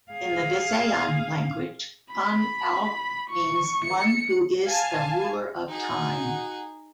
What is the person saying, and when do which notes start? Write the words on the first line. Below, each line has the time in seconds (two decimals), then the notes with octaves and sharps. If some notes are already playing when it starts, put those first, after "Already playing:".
In the Visayan language, Kan-Laon means One Who Is the Ruler Of Time.
0.12 G#4 F5
2.13 B5
3.30 C#6
3.84 C#7
4.65 F5 G#5 A5
5.68 D#4 F#4 G#4 F#5